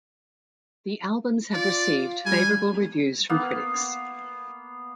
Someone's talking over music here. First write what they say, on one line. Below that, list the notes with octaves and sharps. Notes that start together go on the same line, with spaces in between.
The albums have received favorable reviews from critics.
F4 D5
G3 G#5
A#3 B3 F5